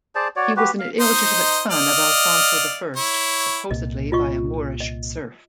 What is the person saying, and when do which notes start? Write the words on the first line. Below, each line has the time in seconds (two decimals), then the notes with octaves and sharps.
He was an illegitimate son of Alfonso the First, supposedly by a Moorish serf.
0.15 G#4 C5 D5 A5
0.36 F#4 C#5 D5
0.56 F#4 G4 B4
0.79 F5
1.00 D#4 C5 D#5
1.71 D5 D#5 F5
2.96 E4 C#5
3.71 C2 A#2 D#5
4.12 F4 D#5 C#6
4.80 D#5